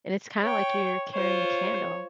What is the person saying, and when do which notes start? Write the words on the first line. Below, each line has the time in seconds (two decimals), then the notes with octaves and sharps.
and it's kinda, like, you're carrying the candle,
0.43 C#5 G5
1.14 F4 C5 C#5